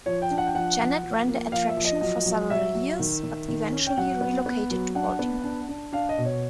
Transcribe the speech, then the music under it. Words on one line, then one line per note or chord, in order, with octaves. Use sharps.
Janet ran the attraction for several years, but eventually relocated to Baltimore.
F3 C#5
G5
D4
F#5
G5
F3 F#5
F3
F3
A#3
F3 F5
E5
F3
D#5
F#3 D#5
F#3
F#3 E5
F#3
D#3
D#3
D#3
C#4
G5
F#3 F#5
B3
B3
F#3
D4 F#5
B3
D4
D4
D4 F5
D#5
B2
C#5